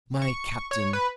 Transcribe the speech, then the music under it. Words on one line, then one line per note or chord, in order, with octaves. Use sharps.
My Captain!
C#6
C#5
B4